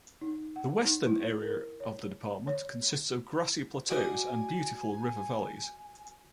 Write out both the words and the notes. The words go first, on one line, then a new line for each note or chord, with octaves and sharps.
The western area of the department consists of grassy plateaus and beautiful river valleys.
D#4
F#5
D#4
E4
A#4
C#5
C#5
F#4 D5 D#5 G#5